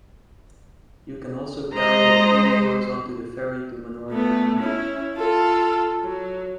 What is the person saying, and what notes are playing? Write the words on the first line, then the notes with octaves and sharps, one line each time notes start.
You can also carry your two wheelers onto the Ferry to Manori Island.
G#3 C5 D#5 A#5
A3 B3
C#4 E4
F4 A4
F#3